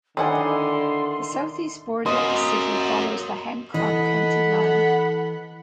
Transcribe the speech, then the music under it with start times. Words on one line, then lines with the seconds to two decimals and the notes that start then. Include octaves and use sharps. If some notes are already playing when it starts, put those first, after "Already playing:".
The southeast border of the city follows the Hancock County line.
0.17 D3 D#3 E4 D5 D#5 F#5 G#5 C6
2.06 A#3 F#4 A#4 D#5 C6
3.74 E3 A4 D#5 F#5 B5